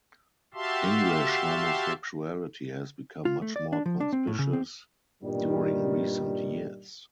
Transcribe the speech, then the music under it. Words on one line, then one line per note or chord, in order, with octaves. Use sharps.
English homosexuality has become much more conspicuous during recent years.
F#4 G4 E5 F5 A5 C6
F4
A3
D5
D4
F3
D4
C4
A2
C#3
C4
G2 A#2 D#3 G3